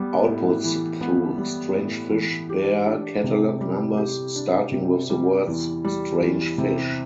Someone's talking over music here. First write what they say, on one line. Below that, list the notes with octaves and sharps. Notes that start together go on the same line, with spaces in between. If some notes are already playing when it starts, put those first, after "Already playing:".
Outputs through Strange Fish bare catalog numbers starting with the words "strange fish".
Already playing: G3 B3
A2
E3
B3
G3
A2
E3
G4
D4
C3
G3
G4
D4
C3
G3
E2
G3
E2
C3